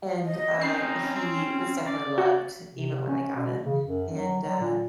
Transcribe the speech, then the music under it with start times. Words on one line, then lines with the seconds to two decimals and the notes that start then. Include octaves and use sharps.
and, I he was definitely loved, even when I got him. And, uh,
0.24 D#5
0.61 C4 C#4 D#4 C7
1.16 C4
1.88 D5
2.18 F#4
2.71 C3
3.08 C#4
3.35 B2
3.64 C#3
3.85 F#2
4.13 F#3
4.42 F#3
4.60 A#2